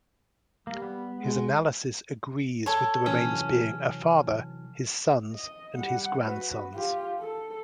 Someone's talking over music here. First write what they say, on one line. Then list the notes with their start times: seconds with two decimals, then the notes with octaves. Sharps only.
His analysis agrees with the remains being a father, his sons and his grandsons.
0.67 G3 A#3
0.82 B3
1.15 G#3
2.66 A4 C#5
3.06 C3 E3 F#3 C#4
5.34 D#5
5.76 G3 F#5
6.25 F#4 B4
6.74 F4 G4
7.20 A4